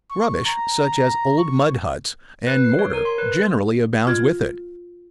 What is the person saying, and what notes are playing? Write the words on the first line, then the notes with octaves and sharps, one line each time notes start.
Rubbish, such as old mud huts, and mortar, generally abounds with it.
C#6
A#5
C#6
B4
C7
C#5
A#4
C6
B4
F4 G#6